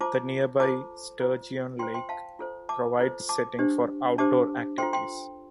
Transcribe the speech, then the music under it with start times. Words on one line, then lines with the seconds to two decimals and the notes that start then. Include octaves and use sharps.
The nearby Sturgeon Lake provides setting for outdoor activities.
0.01 F4 C5 A5 D6
0.60 F4 A4 C5 A5 D6
1.19 F4 C5
1.79 F4 C5 G5 C6
1.94 G5 C6
2.09 F5 A5
2.39 F4 A4 C5
2.69 A5 D6
2.99 F4 A4 C5
3.29 A5 D6
3.59 D4 G4 C5
4.18 D4 G4 C5 A5 D6
4.78 F4 A4 C5 G5 C6
4.93 G5 C6